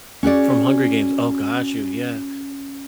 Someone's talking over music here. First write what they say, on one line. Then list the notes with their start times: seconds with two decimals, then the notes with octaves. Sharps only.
from Hunger Games oh, got you, yeah.
0.23 C#4 F#4 G#4 D5